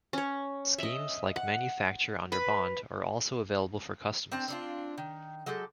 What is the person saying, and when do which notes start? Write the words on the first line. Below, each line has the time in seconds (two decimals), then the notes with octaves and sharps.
Schemes like manufacture under bond are also available for customs.
0.13 C#4 C#5
0.78 D#5 E5
1.36 F#5
2.32 B4 B5
4.32 C4 D4 A5 A#5
4.48 C4 D4 F4
4.98 D#3
5.46 F#3 G#3 G4 A4